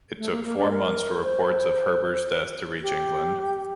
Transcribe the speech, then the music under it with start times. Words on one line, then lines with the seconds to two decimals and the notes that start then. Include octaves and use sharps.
It took four months for reports of Heber's death to reach England.
0.19 A3
0.31 A#3
0.44 A#3
0.57 D4
0.71 A#4
1.23 C5
2.82 G4